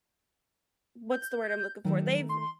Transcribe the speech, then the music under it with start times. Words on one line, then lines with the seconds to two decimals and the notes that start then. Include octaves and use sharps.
what's the word I'm looking for they've
1.11 G6
1.85 D#3 F#3 A3 D#4
2.29 C6